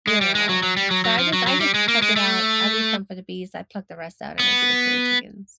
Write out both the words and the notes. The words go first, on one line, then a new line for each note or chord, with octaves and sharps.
you know? So, I just I just pluck it out, I leave some for the bees. I pluck the rest out and I give it to the chickens.
G#3
G3
G#3
F#3
F#3
G3
F#3
F#3
F3
F#3
F#3
G3
G#3
A#3
G#3
A3
B3